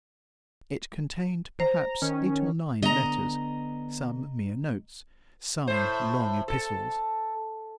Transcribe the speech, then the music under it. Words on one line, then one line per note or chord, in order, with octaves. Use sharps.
It contained, perhaps, eight or nine letters,--some mere notes, some long epistles.
C5 A#5
D#3 C#4
D3 B3 D#5 A#5
A2 C5
A4